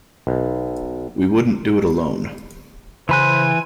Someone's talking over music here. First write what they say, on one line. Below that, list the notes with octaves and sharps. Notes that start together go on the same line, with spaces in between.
We wouldn't do it alone.
B1
C#3 E3 C5 G#5 B5 F#6